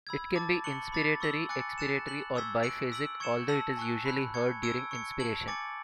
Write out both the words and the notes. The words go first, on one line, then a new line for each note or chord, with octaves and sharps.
It can be inspiratory, expiratory or biphasic, although it is usually heard during inspiration.
B5 E6 G#6
A5 D6 A6
A5 C#6 F#6 C#7 F#7
B5 D6 A6
C#6 E6 B6 F#7
G#5 D6 F#6 A6 C#7
F#6 A6 C#7 E7
F#6 B6 F#7
C#6 E6 G#6 B6
F#6 B6 D7 F#7
E6 B6 D7 F#7
C#6 G#6 C#7 E7
A5 E6 B6 F#7
G#5 C#6 F#6
B5 F#6 B6
C#6 G#6 C#7
C#6 E6 G#6 D7
C#6 G#6 C#7
A5 C#6 G#6 D7 F#7
G#5 D6 A6 C#7